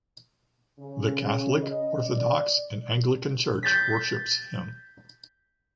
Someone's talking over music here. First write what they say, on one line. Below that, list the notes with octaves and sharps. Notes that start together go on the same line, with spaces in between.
The Catholic, Orthodox and Anglican church worships him.
C#3
C#3
D#5
D5
G6 A6 B6